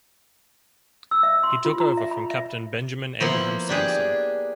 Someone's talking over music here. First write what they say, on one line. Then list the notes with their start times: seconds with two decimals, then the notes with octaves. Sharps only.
He took over from Captain Benjamin Abraham Samson.
1.11 E6
1.23 E5
1.43 C6
1.65 F4
1.80 A#5
1.97 E5
2.11 B5
2.30 E5
3.20 F3 A#3 B3 E4
3.69 D4 G4 G#4